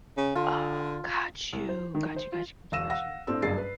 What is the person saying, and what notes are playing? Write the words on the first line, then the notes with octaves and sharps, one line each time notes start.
Oh, got you. Got you, got you, got you, got you. Okay.
C#3
D3 F4
C2
C5
D#3
C5
F4
E1 F5 E6 A#6 D#7 E7
F5 F#5 E6 A#6
A2 C4 D4 A4 E6
F#1 G2 G#4 A6 C7
B4